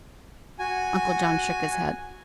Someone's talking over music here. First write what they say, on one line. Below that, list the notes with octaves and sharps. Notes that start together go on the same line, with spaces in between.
Uncle John shook his head.
F#4 G#5